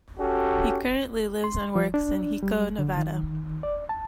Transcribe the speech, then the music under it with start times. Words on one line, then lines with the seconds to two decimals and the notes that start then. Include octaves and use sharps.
He currently lives and works in Hiko, Nevada.
0.19 C#4 F#4 G4 A4
1.44 C6
1.75 F3
1.94 D4
2.43 G3
2.79 D3
2.97 D#3
3.63 D5
3.89 A5